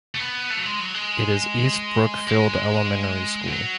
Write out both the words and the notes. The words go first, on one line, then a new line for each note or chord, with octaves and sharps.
It is East Brookfield Elementary School.
A3
B3
A3
F#3
G#3
F#3
G#3
G#3
F#3